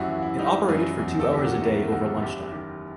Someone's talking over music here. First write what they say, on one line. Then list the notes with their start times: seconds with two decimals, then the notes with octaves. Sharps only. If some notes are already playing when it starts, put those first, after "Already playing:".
It operated for two hours a day over lunchtime.
Already playing: F#2 E4 F#4 G4
0.08 E3
0.19 F#4
0.22 E4
0.38 G3 D#4
0.69 F#2
0.99 E2
1.20 A4
1.31 D#3 G4
1.46 F#4
1.61 D#3 E4
1.91 D#3 F#4
2.15 F#4
2.21 F#1 G4
2.52 D#3 G4